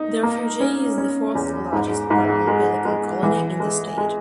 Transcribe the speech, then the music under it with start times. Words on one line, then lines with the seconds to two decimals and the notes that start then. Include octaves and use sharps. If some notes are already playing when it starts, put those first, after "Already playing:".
The refuge is the fourth largest brown pelican colony in the state.
Already playing: D#4
0.23 A#3
0.60 C#4
0.98 C#4
1.35 E2
1.73 G#2
2.10 G#2
2.47 G#3
2.85 G#3
3.23 E3
3.60 G#3
3.98 G#3